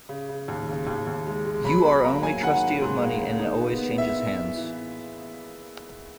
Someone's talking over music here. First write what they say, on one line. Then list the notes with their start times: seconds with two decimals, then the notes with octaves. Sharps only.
You are only trustee of money and it always changes hands.
0.09 C#3
0.29 C#3
0.48 D#2
0.68 C#3
0.87 D#2
1.07 D#2
1.27 G#3
1.45 G#3
1.64 F#3 B5
1.84 F#3 B5
2.04 A#3 A#5
2.23 F#3 G#5
2.43 D#3 F#5
2.63 A#3
2.82 G#2
3.01 A#3
3.20 C#3
3.39 D#4
3.60 B3
3.78 B3
3.97 E3 E5
4.17 E3
4.36 E3
4.56 E3